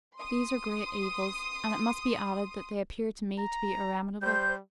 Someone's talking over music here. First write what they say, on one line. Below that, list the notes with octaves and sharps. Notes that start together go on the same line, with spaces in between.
These are great evils; and it must be added that they appear to me to be irremediable.
C6 D#6
A#5
G3 C5 G6